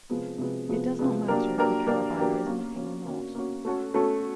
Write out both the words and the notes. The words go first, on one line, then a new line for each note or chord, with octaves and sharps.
It does not matter if the carabiner is locking or not.
C3 F3 G#3 B3
C3 F3 G#3 B3
C3 F3 G#3 B3
C3 F3 G#3 B3
F#3 A#3 D4 G4 A#4
F#3 A#3 D4 G4 A#4
F#3 A#3 D4 G4 A#4
F#3 A#3 D4 G4 A#4
A#3 C#4 F#4
A#3 C#4 F#4
A#3 C#4 F#4
A#3 C#4 F#4
A3 C#4 F#4 A4
A3 C#4 F#4 A4